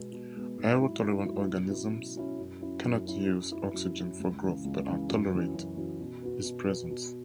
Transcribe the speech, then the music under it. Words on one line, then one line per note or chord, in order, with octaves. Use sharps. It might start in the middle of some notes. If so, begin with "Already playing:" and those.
Aerotolerant organisms cannot use oxygen for growth but are tolerate its presence.
Already playing: B2 G#3 B3
B2
G#3 B3
G#2
F#3 E4
G#2
F#3 E4
B2
F#3 C#4 E4
B2
F#3 C#4 E4
F#2
F#3 C#4 E4
F#2
F#3 C#4 E4
F#2
F#3 C#4 E4
F#2
F#3 C#4 E4
C#2
C#3 E3
C#2
C#3 E3
F#2
E3 C#4 F#4
F#2
E3 C#4 F#4
B2
B3 F#4
B2
B3 F#4
B2